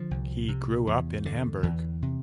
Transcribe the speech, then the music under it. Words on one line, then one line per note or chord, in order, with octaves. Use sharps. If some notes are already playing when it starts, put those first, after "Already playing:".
He grew up in Hamburg.
Already playing: D3 F3
C2
C3
E2
D3
E2 E3
C3